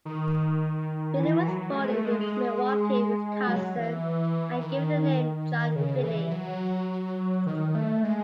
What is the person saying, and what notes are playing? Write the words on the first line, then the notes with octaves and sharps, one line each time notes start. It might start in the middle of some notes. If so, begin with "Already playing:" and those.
Finney was born in Milwaukee, Wisconsin and given the name John Finney.
D#3
E3
F#3
A3
G#3
A3
G#3
G#3
F#3
E3
D#3
C#3
E3
F#3
D#3
A3
G#3